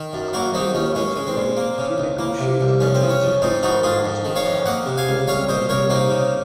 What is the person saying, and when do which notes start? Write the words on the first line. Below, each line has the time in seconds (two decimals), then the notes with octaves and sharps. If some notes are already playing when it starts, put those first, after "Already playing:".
Climbing without a rope, he negotiated a twenty-foot horizontal crack in an overhanging roof.
Already playing: D#3
0.13 F#2
0.33 A#3 F#4 A#4
0.54 D#3 C4 D#4
0.75 D#2 C#4
0.95 G#3 C#4
1.16 G#3
1.27 C4
1.36 A#2
1.57 A#3
1.78 C#3
1.98 C#2
2.19 A#3
2.39 C3
2.61 C2
2.80 F2 C#4
2.95 C4
3.01 C#3
3.09 C#4
3.23 F2
3.42 G#2 C4 D#4
3.63 F3 D#4 F#4
3.83 G#2 F4 G#4
4.04 F2
4.24 D#3
4.36 C#5 F5
4.45 F2
4.66 A#3 D#5 F#5
4.86 C3
4.98 F5 G#5
5.07 C#2
5.27 C2 C#5 F5
5.49 A#2 C5 D#5
5.69 C2 A#4 C#5
5.90 A#3 C4 D#4
6.10 C#3